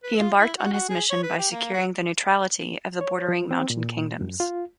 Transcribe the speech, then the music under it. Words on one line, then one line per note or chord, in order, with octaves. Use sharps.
He embarked on his mission by securing the neutrality of the bordering mountain kingdoms.
B4
F4
E4
F#4
F#4
G#4
C#5
B4
G4
A#3
F#4
C#5
F3
C4
A#2
F#2
F4